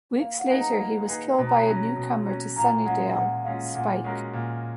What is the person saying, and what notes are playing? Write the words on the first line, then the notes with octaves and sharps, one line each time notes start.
Weeks later, he was killed by a newcomer to Sunnydale, Spike.
A#3 F5
F#5
D#4 G#4 B4
A#5
A#3 B5
D#4 G#4 B4
B2 B5
A#5
B5
F#3 C#4
B2
F#3 C#4
A#2 A#5
G#3 C#4 F4 F#5
A#2 F#5
G#3 C#4 F4 F5
A#2 F#5
G#3 C#4 F#4 A#4
A#2